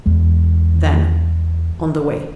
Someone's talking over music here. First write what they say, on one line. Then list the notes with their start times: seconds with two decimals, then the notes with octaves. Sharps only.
Then, on the way.
0.06 E2 G#3